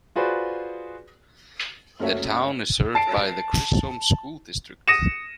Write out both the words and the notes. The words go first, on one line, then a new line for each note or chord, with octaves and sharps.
The town is served by the Chisholm school district.
F4 F#4 G#4 B4 C5 D5
F#1 C#2 A3 F#4 C#5 E5
A5 C7 D7
D#6 A#6 C#7 D#7 E7